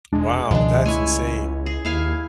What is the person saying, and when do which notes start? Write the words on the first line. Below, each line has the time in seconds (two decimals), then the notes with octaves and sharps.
Wow, that's insane.
0.13 E1 G#3 D4
0.51 C#2 B2 D#3 F3 G#3 D4
0.86 A3 E4 C#5 G#5
1.66 G#4
1.85 D#2 E4 F5 G#5